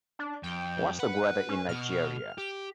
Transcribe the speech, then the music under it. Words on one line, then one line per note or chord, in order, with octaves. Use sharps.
What's the weather in Nigeria?
D4
F2 G5
B4 F#5 B5
C#4
B2 B3 F6
G4